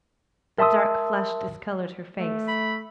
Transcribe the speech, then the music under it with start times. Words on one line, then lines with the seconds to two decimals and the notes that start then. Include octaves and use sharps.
A dark flush discolored her face.
0.58 A#4 E5 A5 C6 D#6 E6
2.16 A3
2.48 B5